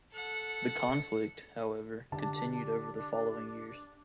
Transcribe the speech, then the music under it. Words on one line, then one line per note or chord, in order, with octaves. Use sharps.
The conflict, however, continued over the following years.
A4 F#5
D3 D4 G4 A5